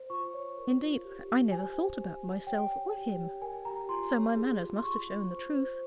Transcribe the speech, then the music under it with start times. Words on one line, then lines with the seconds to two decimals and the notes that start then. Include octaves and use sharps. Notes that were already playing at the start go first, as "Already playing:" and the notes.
Indeed, I never thought about myself or him, so my manners must have shown the truth.
Already playing: C5
0.10 F4 C#6
0.34 C#5
0.58 A#4
0.81 F4
1.05 G4
1.28 G4
1.52 C5 G#5
1.76 C5
1.99 G4
2.23 G4
2.47 C#5 G5
2.71 C#5
2.94 G4
3.18 C#5
3.41 A#4 G#5
3.65 G4 A#5
3.89 F4 C6
4.12 C#5
4.36 G#4
4.60 F4
4.77 C6
4.83 F4 C#6
5.07 F4
5.30 C5
5.54 C5